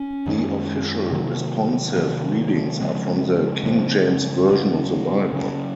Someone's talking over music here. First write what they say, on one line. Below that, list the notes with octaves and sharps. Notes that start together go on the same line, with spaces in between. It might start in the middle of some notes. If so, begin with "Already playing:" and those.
The official Responsive Readings are from the "King James Version of the Bible".
Already playing: C#4
F#2 D#3 G#3 C#4
C3 D#3 F#3 A#3
C3 D#3 F#3 A#3
C#3 F3 G#3 C4
C#3 F3 G#3 C4
C#3 F#3 C#4
C#3 F#3 C#4